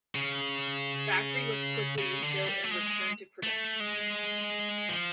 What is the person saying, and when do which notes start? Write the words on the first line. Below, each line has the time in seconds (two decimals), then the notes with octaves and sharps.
The factory was quickly rebuilt and returned to production.
0.15 C#3
1.98 C#3
2.22 D3
2.46 G3
2.64 A3
2.71 G#3
3.43 A3
3.80 G#3
4.89 F3